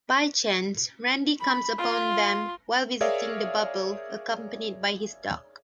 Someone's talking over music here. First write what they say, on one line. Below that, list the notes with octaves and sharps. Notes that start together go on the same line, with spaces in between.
By chance, Randi comes upon them while visiting the bubble, accompanied by his dog.
B5
F4 C6
G#4 A#4 C#5 D5 E5 F5